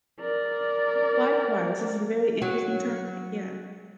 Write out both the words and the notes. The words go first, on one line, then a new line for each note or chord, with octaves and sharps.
Yeah, likewise, this is a very interesting topic, yeah.
A#4 D5
F#3